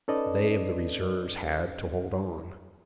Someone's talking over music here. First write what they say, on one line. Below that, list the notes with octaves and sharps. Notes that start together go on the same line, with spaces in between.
They of the reserves had to hold on.
C#4 D#4 A4 B4 D5 D#5